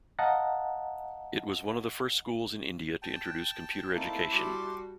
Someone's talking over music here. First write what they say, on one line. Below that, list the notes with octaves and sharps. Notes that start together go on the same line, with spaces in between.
It was one of the first schools in India to introduce computer education.
D#5 F5 F#5 A5 A#5
G5 A5
A3 A#3 C4 D#4 E4 A5
G3 F#4 G4 C6 D6